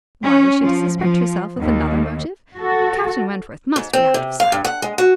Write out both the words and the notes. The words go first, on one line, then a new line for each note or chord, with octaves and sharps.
Why was she to suspect herself of another motive? Captain Wentworth must be out of sight.
C#4
F3
F3
D#2
F#4 A4
G#2
C4
C3
F5
G2
F#5
G#3
F#4